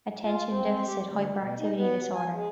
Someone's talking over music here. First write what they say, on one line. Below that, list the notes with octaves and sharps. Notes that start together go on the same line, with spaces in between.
Attention deficit hyperactivity disorder.
F4
C4
G4
D2
B2
D#4
B3
G#5
G#3